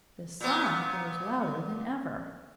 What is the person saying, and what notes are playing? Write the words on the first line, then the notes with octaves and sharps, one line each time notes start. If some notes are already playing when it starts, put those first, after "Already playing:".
The song grows louder than ever.
A#2 B3